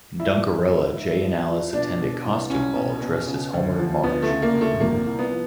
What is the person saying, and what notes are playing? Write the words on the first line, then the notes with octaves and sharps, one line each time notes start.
In "Dukerella," Jay and Alice attend a costume ball dressed as Homer and Marge.
F3 E4
F3
G#2
G#2
F3
F3
B2 D4
B2
C2
C2 C#4
B2
B2
C#3
D2
F3
D2 B3
A3
C#3
A#3
D2
A3
C3 A#3
C2
B3
F3